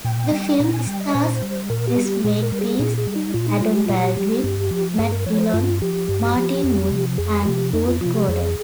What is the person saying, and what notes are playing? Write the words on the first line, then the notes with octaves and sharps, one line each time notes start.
The film stars Chris Makepeace, Adam Baldwin, Matt Dillon, Martin Mull, and Ruth Gordon.
A#2 G5
G3
A#2 A#5
G#5
G3 G5
D#5
A#2 C5
G3
A#2 A#4
G4
G3
G4
A#2 G#4
A#4
G3
G#4
A#2 G#4
G#4
G3
D#4
A#2 F4
D#4
G3 F4
G4
A#2 F4
G4
G3
G2
F3
G2 G#4
A#4
F3 C#5
C5
G2 F4
F3 G4
G2
F3
F2
C3 F3
F2 G#4
C3 F3 G4
F2 D#4
F4
C3 F3 F4
G4
F2 G#4